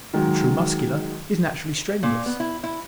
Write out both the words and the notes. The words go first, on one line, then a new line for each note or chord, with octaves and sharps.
The true Muscular is naturally strenuous.
D#3 F#3 G#3
A#2
B3
E4
E4